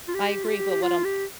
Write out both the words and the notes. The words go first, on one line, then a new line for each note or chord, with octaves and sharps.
I agree, but what I'm
F4
G4
F4
G4
G4
F4
G4